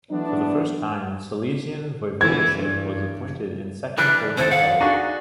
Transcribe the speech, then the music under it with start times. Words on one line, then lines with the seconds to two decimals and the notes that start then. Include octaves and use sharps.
For the first time Silesian Voivodeship was appointed in Second Polish Republic.
0.11 E3 F#3 A3 B3 D4
2.21 D3 E3 E4 G#6
2.52 G2
3.98 E3 G3 D4 F#6
4.37 D#2 C3 E4 A4 C5
4.51 F5 F#5
4.81 D4 D#4 F#4 G#4